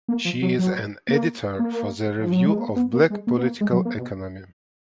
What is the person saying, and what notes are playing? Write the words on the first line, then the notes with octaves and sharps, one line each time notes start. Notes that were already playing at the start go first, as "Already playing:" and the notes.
She is an editor for The Review of Black Political Economy.
A#3
F3
F#3
F#3
A#3
A#3
F3
F#3
G#3
A#3
B3
A#3
G#3
A#3
B3
A#3
G#3
F#3
A#3
B2